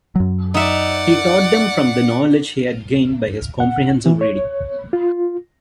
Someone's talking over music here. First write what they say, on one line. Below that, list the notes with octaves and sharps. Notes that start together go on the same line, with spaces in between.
He taught them from the knowledge he had gained by his comprehensive reading.
F#2 F#3
D#4 D5 E5 F#5
F#5
E3
C#5
F4